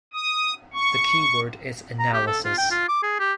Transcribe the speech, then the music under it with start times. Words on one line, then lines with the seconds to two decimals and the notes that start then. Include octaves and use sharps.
The key word is analysis.
0.14 D#6
0.74 C#6
1.99 A#5
2.13 G4
2.27 A4
2.45 F4
2.58 G5
2.71 F4
2.89 D6
3.03 G#4
3.19 G4